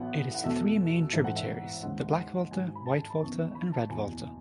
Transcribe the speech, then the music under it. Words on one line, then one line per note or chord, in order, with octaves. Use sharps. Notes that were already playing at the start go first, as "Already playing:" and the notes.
It has three main tributaries-the Black Volta, White Volta and Red Volta.
Already playing: A1 A2 F#3 B3 F#5
F#5
E2 B2 A3 E5
A1 G#2 E3 A3 E5
F#5
E5
D#2 C#3 G#3 F#5
G#1 G#2 F#3 G#5
B5
A5
B5
D#2 C#3 E3 B3 C#6
B5
A5
F#1 E2 B2 G#5